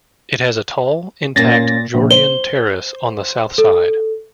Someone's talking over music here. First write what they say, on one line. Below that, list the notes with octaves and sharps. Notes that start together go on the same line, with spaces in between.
It has a tall, intact Georgian terrace on the south side.
A#2 A#3 C#4 A6 A#6
A#1
C5 G7
A4